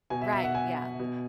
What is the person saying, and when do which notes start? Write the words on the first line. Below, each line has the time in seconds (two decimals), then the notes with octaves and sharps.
Right, yeah.
0.10 B2 G#5
0.22 E5
0.33 E5
0.44 F#5
0.55 G#5
0.99 B2